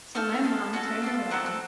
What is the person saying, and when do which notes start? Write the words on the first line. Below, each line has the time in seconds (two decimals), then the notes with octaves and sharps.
So my mom turned around
0.15 A3 D#4 A4 F6
0.44 C#4 F4 A4
0.73 C#4 F#4 A4 F#6
1.02 A#3 F4 A4
1.30 C4 D#4 F#4 A4 F#6
1.46 F#6